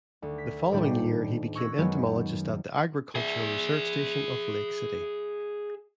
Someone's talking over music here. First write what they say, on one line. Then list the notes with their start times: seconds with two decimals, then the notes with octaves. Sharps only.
The following year, he became entomologist at the Agricultural Research station of Lake City.
0.22 D2
0.38 B6
0.72 D#1 A2 G3 D4 G5
1.55 C#6 E6 F#6 G#6 A#6
1.78 F#2 D#3 F#3 G#3 B3
3.15 G#4 E5